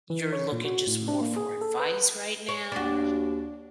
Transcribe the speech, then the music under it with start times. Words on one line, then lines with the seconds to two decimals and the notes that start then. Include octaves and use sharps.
you're looking just more for advice right now,
0.10 E3
0.33 C#5
0.52 A#2
0.65 F#4
0.87 A2
1.08 D4
1.21 A#3
1.36 G#4
1.62 A4
1.80 B4
2.49 C#5
2.72 D#2 D4 F#4